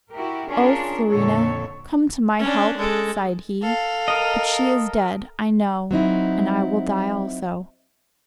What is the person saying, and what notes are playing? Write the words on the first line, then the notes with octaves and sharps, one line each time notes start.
"Oh, Florina, come to my help!" sighed he, "But she is dead, I know, and I will die also."
E4 F#4 G4 A#4
C#4 D4 F4 G#4 A#4 C#5
F2 A#2 D3 D#3 A4 C#5
C#4 D4
G#3 A4
A4 F5
A#4 D#5
F#3 C4 D#4 E4